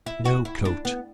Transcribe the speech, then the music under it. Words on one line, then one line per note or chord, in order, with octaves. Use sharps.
No coat!
E4
F#4
E4
D4
B3